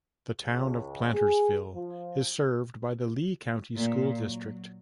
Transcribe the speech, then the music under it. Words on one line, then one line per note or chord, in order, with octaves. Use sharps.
The Town of Plantersville is served by the Lee County School District.
C#2
G#4
F3
A#2
F#3